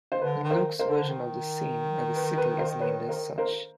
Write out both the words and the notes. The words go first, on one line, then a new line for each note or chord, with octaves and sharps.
In Luke's version of this scene at the city is named as such.
C5
D3 B4
D#3
A#4 C5
A#4 C5
D3
D#3
B4
B4
A#4 C5
B4 C#5
A#4 C5
A#4 C5